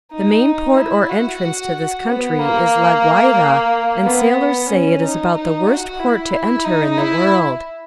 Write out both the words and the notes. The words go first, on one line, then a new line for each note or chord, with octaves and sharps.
The main port or entrance to this country is La Guaira and sailors say it is about the worst port to enter in the world.
D#4
E4
F#4
B3
A#3
B3
C#4
D#4
D#4
F#4
E4
E4
D#4
E4